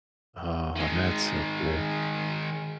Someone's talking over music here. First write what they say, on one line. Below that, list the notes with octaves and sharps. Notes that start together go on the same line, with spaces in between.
oh, that's so cool.
D#3 G#3